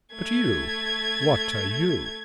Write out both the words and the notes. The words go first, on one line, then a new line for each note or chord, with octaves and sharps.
But you--what are you.'
A3 G#6